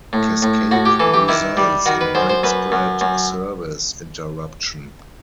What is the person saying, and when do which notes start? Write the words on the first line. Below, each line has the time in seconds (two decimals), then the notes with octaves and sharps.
Cascading results in widespread service interruption.
0.13 A2
0.42 A2
0.71 A2 F#4
0.85 G4
1.00 E3 A4
1.14 G4
1.28 D#3 E4
1.57 G3
1.86 D#3 F#4
2.01 B4
2.15 F#2 C5
2.29 C5
2.43 F#2 B4
2.72 F#2
3.01 F#2